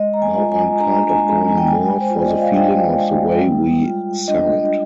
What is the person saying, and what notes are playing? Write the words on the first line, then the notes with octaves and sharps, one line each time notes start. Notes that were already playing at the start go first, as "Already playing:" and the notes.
Now I'm kind of going more for the feeling of the way we sound.
Already playing: G#3 D#5
A#5
G#5
F4
G#5
D4 A#5
G#5
G#3
G5
G#3 G#5
C5
F4 D5
D#5
F5
D4 G5
G#3
G3
F4
D4 D#5